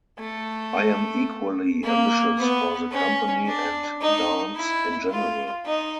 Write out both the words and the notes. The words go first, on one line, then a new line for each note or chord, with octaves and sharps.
I am equally ambitious for the Company and dance in general.
A3
A#3
B3
C#4
D4
D#4
E4
F4
D#4